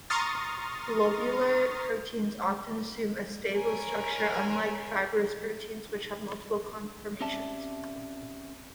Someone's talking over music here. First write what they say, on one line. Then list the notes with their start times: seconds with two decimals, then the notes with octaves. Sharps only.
Globular proteins often assume a stable structure, unlike fibrous proteins, which have multiple conformations.
0.10 A#5 C6 C#6 D#6 F6 A6
3.52 A#4 C#5 G#5 B5
7.21 C4 C#4 G4 D5 E5 A5